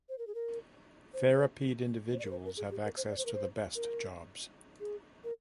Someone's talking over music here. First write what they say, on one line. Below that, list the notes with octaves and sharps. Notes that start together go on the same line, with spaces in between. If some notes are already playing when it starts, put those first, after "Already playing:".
Therapied individuals have access to the best jobs.
C5
A#4
G#4
A#4
C5
C5
D5
A#4
C5
A#4
G#4
G4
A#4
C5
D5
C5
A#4
C5
A#4
G#4
A#4